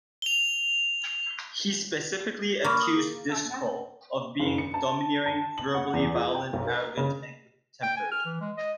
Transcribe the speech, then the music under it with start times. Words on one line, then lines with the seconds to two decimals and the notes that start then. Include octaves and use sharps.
He specifically accused Driscoll of being "domineering, verbally violent, arrogant, and quick-tempered".
0.22 F7 G7
2.64 A#3 B5 C#6
2.80 D#6 F#7
2.96 G#4
4.40 F#1
4.58 C#7
4.74 A5
5.26 A5
5.58 F#7
5.74 F#5
5.94 E2
6.14 F4
6.35 G5
6.53 B1
6.66 A#4
6.97 C#3
7.82 G5
7.96 G#5
8.11 F6
8.25 E3
8.41 G#3
8.57 D#5